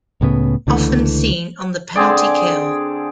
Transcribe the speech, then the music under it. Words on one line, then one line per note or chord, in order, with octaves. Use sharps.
Often seen on the penalty kill.
C#2 A2 C#3 B3
C#2 D3 E3 A3
D3 C4 G#4 D5